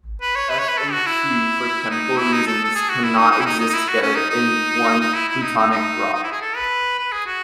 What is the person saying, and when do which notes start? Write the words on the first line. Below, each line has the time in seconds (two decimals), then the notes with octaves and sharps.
F and Q for chemical reasons can not exist together in one plutonic rock.
0.21 B4
0.35 C#5
0.50 B4
0.59 C#5
0.68 B4
0.77 A4
0.92 F#4
1.06 E4
1.90 D#4
2.18 E4
2.33 D#4
2.47 A4
2.64 A4
2.75 G#4
2.89 F#4
3.03 E4
3.17 D#4
3.31 D#4
3.40 E4
3.46 D#4
3.59 D#4
3.70 D#4
3.74 E4
3.88 F#4
4.02 C#4
4.16 D#4
4.30 D#4
5.00 D#4
5.15 E4
5.29 E4
5.42 D#4
5.57 D#4
5.71 D#4
6.13 D#4
6.23 E4
6.32 G#4
6.41 A4
6.56 B4
6.98 B4
7.12 G#4
7.26 F#4